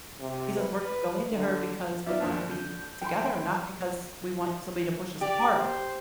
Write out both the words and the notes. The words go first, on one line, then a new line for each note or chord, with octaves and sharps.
He says, "We're going to her because we wanna be together, not because we want somebody to push us apart."
C3
B4
D3
B3 D#4 F4 D5 E5
F#1 D#2 D4
D3 G6
G5 G#5 B5 C6
G4 D5
C5